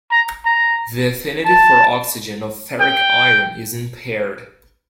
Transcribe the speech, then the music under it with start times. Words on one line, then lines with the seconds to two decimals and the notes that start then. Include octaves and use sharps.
The affinity for oxygen of ferric iron is impaired.
0.11 A#5
0.45 A#5
1.45 A5
2.81 G5